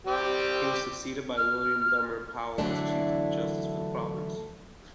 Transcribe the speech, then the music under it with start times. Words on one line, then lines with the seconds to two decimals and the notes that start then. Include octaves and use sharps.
He was succeeded by William Dummer Powell as Chief Justice for the province.
0.07 G3 C4 G4
1.37 F6
2.58 D3 E3 F#3 A3 D4 E4